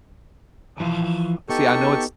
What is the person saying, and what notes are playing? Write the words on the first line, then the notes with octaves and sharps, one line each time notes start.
Oh, see, I know it's,
E3 F3 F4
B3 D#4 G4 A4 C#6